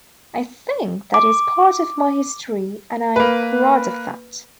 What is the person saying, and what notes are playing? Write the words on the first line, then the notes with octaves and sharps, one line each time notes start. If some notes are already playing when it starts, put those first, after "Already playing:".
I think that is part of my history and I am proud of that.
D6
A#3 B4